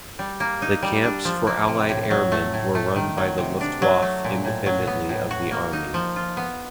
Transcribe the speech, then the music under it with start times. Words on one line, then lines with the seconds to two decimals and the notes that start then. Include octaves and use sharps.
The camps for Allied airmen were run by the Luftwaffe independently of the Army.
0.19 G3
0.40 A#3
0.62 D#4
0.83 G3
1.04 D4
1.25 F3
1.47 A#3
1.68 C3
1.89 A2
2.11 F#3
2.32 A3
2.54 A2
2.75 A3
2.96 D#3
3.18 F#3
3.38 C3
3.61 D4
3.82 F#3
4.02 A3
4.24 A#2
4.45 A2
4.66 F#3
4.87 B3
5.09 A2
5.31 F#4
5.52 A#3
5.73 D#4
5.94 F3
6.16 F4
6.37 B3